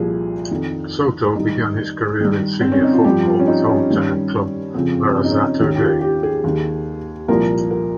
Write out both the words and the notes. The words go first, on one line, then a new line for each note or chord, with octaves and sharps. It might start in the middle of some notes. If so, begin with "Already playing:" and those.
Soto began his career in senior football with hometown club Berazategui.
Already playing: C2 A#2 F3 G#4
F2 D#3
G2 D#3 D#4
G2 D#3
C4
C#4
D#4
F4
G2 F3 G4
F4
C#4
D#4
C#4
G2 D#3
F2 C#3 F3 C4
C#4
D#4
C#4
D#2 D#3 C#4
G4
F4
G4
G#4
D#2 D#3
C2 A#2 F3 A#4
A#4